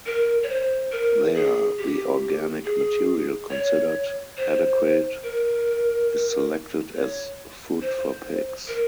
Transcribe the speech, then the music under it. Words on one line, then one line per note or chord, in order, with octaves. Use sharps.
There, the organic material considered adequate is selected as food for pigs.
A#4
C#5
C5
A#4
G#4
G4
G#4
C#5
C5
A#4
C#5
C5
A#4